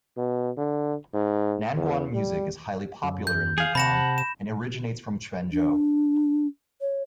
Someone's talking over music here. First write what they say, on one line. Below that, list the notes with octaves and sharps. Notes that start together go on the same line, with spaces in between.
Nanguan music is highly popular in Lukang and originates from Quanzhou.
B2
D3
G#2
E2
G3
F#2
G6
G#4 F5
C3 F#5 A5 B5 A#6 E7
E7
D4
C#5